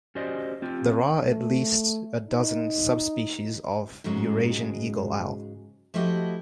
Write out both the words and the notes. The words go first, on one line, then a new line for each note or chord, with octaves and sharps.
There are at least a dozen subspecies of Eurasian eagle-owl.
C#4 F#4 G4 C5 D5 D#5
C4 F4 G4
A3
D#4
G#2 C#3 F#3 G#3
F3 A3 E4 F#4 G4 D#5